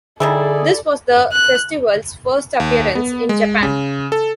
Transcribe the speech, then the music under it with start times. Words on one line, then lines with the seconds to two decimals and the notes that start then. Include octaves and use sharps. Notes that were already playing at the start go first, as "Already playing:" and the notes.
This was the festival's first appearance in Japan.
0.20 D3 D#3 G3 E4 G#4 A4 D5
1.32 F#6
2.60 D#2
2.95 B3
3.29 G#3
3.63 C#3
4.12 A4